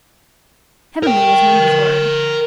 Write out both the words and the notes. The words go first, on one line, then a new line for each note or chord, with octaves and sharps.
Heavenly was Wendy's word.
A#4 G5